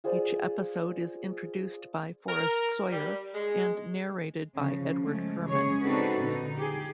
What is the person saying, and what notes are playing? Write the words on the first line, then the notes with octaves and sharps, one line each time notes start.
Each episode is introduced by Forrest Sawyer and narrated by Edward Herrmann.
F4 G#4 C5 D5
A#4
G3
G#3
C#3 F3
F3 G#3 A3
C#3 G#3 G#4 C#5
C4 D4 D#4 F#4 A4 B4
A#2 D3 D#4
G4 G#4